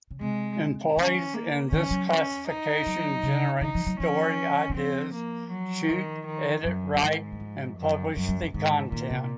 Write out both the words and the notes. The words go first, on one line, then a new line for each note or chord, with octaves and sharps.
Employees in this classification generate story ideas, shoot, edit, write and publish the content.
C#3
C3 G#3
D#3 C#4
A#3
D#3 C#4
F#3
C#4
D#4
F#3
C#3
D#3 D#4
F3
F#3
F3 C#4
D#3
F3 C4
A#3
F#3
D#3 F3
D#3
F#2 F#3
F3
G#2 D#3
F#3
F3
F#2
F#2 F#3
F#3
F3
G#2 D#3
A#2 D#3
C3